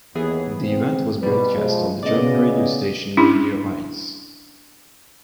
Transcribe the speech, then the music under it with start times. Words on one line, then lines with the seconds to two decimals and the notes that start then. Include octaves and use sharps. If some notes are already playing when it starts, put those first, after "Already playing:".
The event was broadcast on the German radio station Radio Eins.
0.15 D#2 E3 B3 G#4
0.61 C4
1.23 B2 G3 B4
1.55 F3 G#3
2.03 C#3 B3 D5 D#5
3.17 C#4 D4 E4